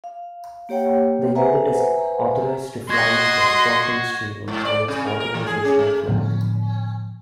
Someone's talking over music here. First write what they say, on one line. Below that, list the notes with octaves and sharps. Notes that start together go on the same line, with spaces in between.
The unit is authorized to fly the appropriate streamer on its organizational flag.
F5
A#3 G4 C#5 F#5 G5
B4 C5 E5 F#5 G#5 A#5
F#4 D#5 C6 G#6 A#6
G#2
D5
C3
A#4
A#4
E3
G#4
C#4
A3
A2 D3 F3 B3